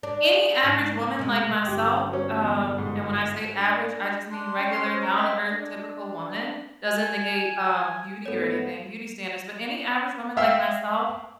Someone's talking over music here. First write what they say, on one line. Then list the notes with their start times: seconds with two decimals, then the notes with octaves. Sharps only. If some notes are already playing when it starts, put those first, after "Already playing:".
any average woman like myself, um and when I say average, I just mean regular, down-to-earth, typical woman, doesn't negate, um, beauty or anything beauty standards, but any average woman like myself
0.03 D4
0.63 G#2 C#3
1.19 B2 G#3
1.66 G1 G4
2.10 F#3 C#4
2.41 E2
2.78 G#2
3.58 D4
4.31 D4 C6
4.57 C#4 G5
4.72 C6
4.85 C5
5.03 A#5
5.17 C4 D#5 E5 G5
5.51 D4
6.86 G#5
8.26 G#2 A3 B3 A4 C#5
10.37 E5 F5 G5 E6